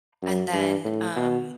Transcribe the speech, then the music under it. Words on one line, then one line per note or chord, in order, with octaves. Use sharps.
And then, um,
F#2
G2
A2
B2